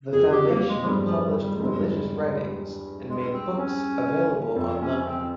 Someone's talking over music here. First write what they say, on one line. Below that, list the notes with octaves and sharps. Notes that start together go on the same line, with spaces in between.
The foundation published religious writings and made books available on loan.
F2 G#4
G4
A#3
G#3
F3
E2 G2 G3
F3
G3
G3
G#2
E2 G2 G#3
G#3
C4
C4
C#4
F2 C4
C#4
C4